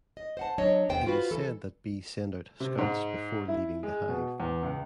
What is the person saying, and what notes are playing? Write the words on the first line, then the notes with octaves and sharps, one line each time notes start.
It is said that bees send out scouts before leaving the hive.
D#5
C5 F#5 A5
F#3 D4 C#5 D#5
E2 C3 B3 C5 G5
F4 F#4 B4 C5
E3 A4
C3
G#2
E4
G#3
B2
E2
C#2